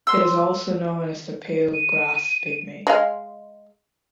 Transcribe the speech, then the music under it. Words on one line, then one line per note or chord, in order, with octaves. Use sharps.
It is also known as the pale grass pygmy.
C6 E6
D#7
G#3 D#5 F5